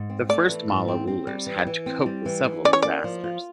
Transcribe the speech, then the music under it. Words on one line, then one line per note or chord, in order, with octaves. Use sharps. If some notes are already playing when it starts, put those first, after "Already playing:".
The first Malla rulers had to cope with several disasters.
Already playing: G#2
C4
A3 D5
E3
G#2
C4
C4
G3
E3
E3
C4
G3
E3
E3
C#4 D5
C#5
A#3 D5
F3
F4